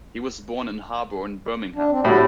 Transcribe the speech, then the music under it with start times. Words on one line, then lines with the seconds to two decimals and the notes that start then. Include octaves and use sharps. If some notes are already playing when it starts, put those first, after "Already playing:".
He was born in Harborne, Birmingham.
1.75 D4
1.91 C4
2.05 A2 G3 A3 E4 F#4